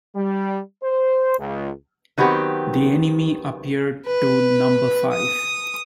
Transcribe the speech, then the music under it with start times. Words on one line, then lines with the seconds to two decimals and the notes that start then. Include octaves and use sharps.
The enemy appeared to number five.
0.16 G3
0.83 C5
1.39 C#2
2.18 D#3 F#3 B3 C4 G4
4.07 B4
5.13 D#6